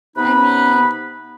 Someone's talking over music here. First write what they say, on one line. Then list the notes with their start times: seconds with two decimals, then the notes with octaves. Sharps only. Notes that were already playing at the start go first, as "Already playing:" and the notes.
I mean,
0.16 C3 B3 D#4 B4 B5